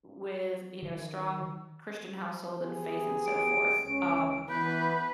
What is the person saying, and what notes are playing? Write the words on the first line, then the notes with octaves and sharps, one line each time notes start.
with, you know, a strong Christian household and faith and so forth, um,
D#3
B3 G4 G#4
D7
C#2 C#4
E3 B3 B4 G6